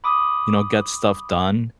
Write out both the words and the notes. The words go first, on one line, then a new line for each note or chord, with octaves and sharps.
you know, get stuff done
B5 D6 D#6